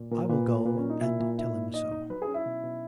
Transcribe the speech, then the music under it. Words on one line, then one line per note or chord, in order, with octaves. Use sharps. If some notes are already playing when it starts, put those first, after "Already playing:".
I will go and tell him so.'
Already playing: A#2
A#2 A#4
A#4
A#2 B4
A#2
A#2 B4
C#4
F#3
D#4
A#2 E4
A#2
D#4 E4
A#3
D#4 D#5
D#4
F#3 B4
G#4
C#4
E4
B2
B2